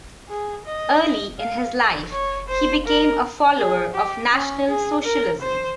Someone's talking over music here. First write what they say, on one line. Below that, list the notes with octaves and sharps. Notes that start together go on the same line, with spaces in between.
Early in his life he became a follower of National Socialism.
G#4
D#5
F5
C#5
C5
A#4
G#4
G4
C#4
G#4
A#4
C5